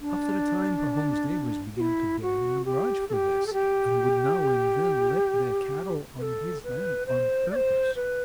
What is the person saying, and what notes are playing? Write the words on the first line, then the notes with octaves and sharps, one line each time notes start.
After a time Pahom's neighbours began to bear him a grudge for this, and would now and then let their cattle on his land on purpose.
D4
F#4
E4
F#4
G4
A4
G4
A4
G4
B4
A4
B4
C5
D5
C5
B4